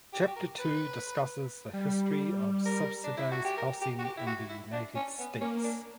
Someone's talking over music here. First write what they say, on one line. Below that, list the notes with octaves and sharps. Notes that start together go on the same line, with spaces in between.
Chapter two discusses the history of subsidized housing in the United States.
G4
F#4
G4
A#4
B4
G3
A#4
D4
E4
F#4
G4
A#4
G4
F#4
G4
E4
F#4
E4
D4
C#4
B3
A#3 C#4
D4